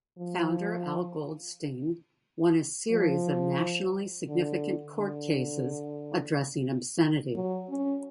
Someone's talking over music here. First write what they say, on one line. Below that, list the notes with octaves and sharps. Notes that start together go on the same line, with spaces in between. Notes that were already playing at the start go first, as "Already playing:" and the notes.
Founder Al Goldstein won a series of nationally significant court cases addressing obscenity.
F3
F3
D3
D3
F#3
C#4